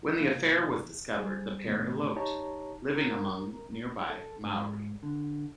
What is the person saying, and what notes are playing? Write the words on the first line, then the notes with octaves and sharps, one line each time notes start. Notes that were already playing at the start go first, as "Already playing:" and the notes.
When the affair was discovered the pair eloped, living among nearby Maori.
C3 E3 A#3 F4
G3 G#4 C5
A2 C3 D#3 A3 B3
D#4 G4 C#5 A5 A#5
A#4
A4
G#2
D3